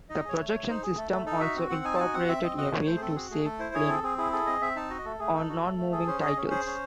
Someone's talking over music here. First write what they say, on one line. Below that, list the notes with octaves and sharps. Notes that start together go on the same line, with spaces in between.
The projection system also incorporated a way to save film on non-moving titles.
D#4 D#5
G#4 C#5
A3
C#5
A3
D#4 C5
G#4
A3 A4
A3 A4
D#4 A4
F#4 E5
C4
C4 F#5
D#4 G#5
A5
F#4 G#5
C4 F#5
C4 E5
C4 D#5
F#4 D#5
A3 C#5
A3 C5
G#4
C4 A4
F#4 G#4
A3 G#4
A3 A4
E4 C5
G#4 C#5
C4 A4
C4 G#4
E4 G#4
G#4 A4
C4 D#5
C4 E5
D#4 A5
F#4 D#5
A3 A4
A3 G#4
D#4 A4
F#4
A3
A3
G#4 A4
C#4 C5
G#4 D#5
C#4
G#4 C5
C#4